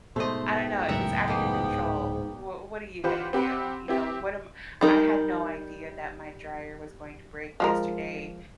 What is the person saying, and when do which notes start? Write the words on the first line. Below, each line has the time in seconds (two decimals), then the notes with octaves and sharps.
I don't know, if it's outta your control, w what are you gonna do? You know? What am I had no idea that my dryer was going to break yesterday,
0.16 G#2 B2 A3 C5 D#5
0.54 B3 G5
0.89 C#2 F#2 A2 A#4 E5 F#5
1.28 G#2 B2 A#3
1.66 D1
3.04 E3 F4 G4 C5 F#5 B5
3.33 C4 G4 F#5 B5
3.88 C4 E4 G4
4.81 G3 D#4 A#4
7.60 F3 G#3 A#4